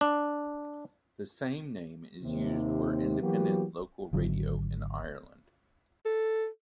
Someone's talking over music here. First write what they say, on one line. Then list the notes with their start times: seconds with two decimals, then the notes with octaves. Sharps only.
The same name is used for Independent Local Radio in Ireland.
0.01 D4
2.23 D#2 C3
3.21 E3 F#3 A#3 B3 F#4 G4
4.13 G#1 D3 F#3
6.05 A4